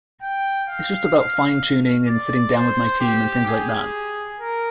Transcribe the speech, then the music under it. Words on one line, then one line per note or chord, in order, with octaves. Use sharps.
It's just about fine-tuning and sitting down with my team and things like that.
G5
F5
F5
D5
C5
G4
G#4
A#4